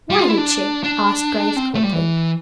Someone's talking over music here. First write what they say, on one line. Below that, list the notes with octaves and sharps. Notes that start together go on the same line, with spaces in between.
"Why did she?" asked Grace quickly.
G3
F4
E4
D4
D4
C4
A3
G3
E3